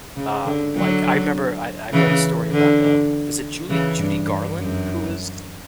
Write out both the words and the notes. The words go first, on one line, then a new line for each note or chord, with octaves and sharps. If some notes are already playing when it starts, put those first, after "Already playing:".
um, like, I remember I I read a story about um, was it Julie Judy Garland who was
C#3
D3
D3 F#3
C#3 E3
D3
C#3 E3
G2
G2
F#2